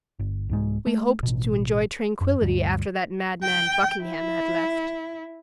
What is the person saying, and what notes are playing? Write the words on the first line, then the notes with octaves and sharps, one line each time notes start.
"We hoped to enjoy tranquillity after that madman Buckingham had left."
G1
C2 G#2 G#3
A3
A1 B2
F#2
D2 G2
G5
E4